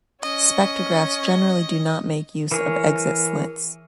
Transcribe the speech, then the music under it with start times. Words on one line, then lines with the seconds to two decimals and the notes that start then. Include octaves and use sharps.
Spectrographs generally do not make use of exit slits.
0.22 C#4 D#5
2.52 E3 G#4 A#4 C#5